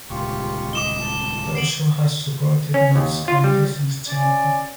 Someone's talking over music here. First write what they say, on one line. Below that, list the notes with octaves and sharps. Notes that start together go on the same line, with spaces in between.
Belshaw has supported Notts County since childhood.
D#1 C#2 F4 G4 C#6
D#5 D6 E7 G7
A5
B3 C7 D7 F#7
C#4
D#2
F4
G3
C#4 D5 G#5